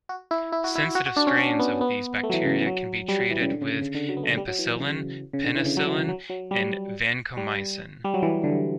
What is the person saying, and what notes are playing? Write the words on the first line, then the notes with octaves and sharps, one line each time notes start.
Sensitive strains of these bacteria can be treated with ampicillin, penicillin and vancomycin.
F#4
E4
E4
F#4
E4
F#4
F#4
D4
C#4
C#4
B3
B3
A3
F#3
E3
C#3
E3
F#3
G3
F#3
E3
C#3
D3
C#3
C#3
D3
F#3
B3
A3
G3
F#3
E3
C#3
C#3
D3
E3
C#3
F#3
E3
F#3
F#3
G3
G3
G3
F#3
E3
D3